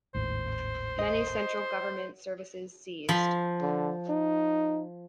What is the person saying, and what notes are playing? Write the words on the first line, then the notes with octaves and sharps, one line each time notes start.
Many central government services ceased.
G#1 D#2 A2 C5
D#5
F3 B5 C6
D3
D#4